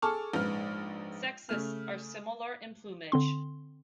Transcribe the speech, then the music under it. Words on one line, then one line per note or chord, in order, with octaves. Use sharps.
Sexes are similar in plumage.
G#4 A4 A5 C#6 D6 F6
A#1 G#2 B4 F6
C#3 A3 F6
D3 C4 C6